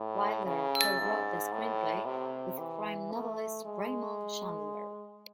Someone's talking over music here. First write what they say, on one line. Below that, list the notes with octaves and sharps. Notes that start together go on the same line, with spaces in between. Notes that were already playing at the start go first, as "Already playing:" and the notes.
Wilder co-wrote the screenplay with crime novelist Raymond Chandler.
Already playing: A2
C#3
G#2
A2
C3
E3
A3
G#3